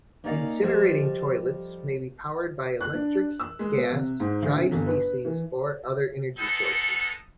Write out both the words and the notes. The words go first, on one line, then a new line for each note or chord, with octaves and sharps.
Incinerating toilets may be powered by electric, gas, dried feces or other energy sources.
A#3 C#4 D#4 D5 D#5 F5
F3 G3 A4 D#5
F#6
D4
E6
G#3
B3
C3
G#2
D2
C3
G1
B4
E3
G#3 B3 D#4 A4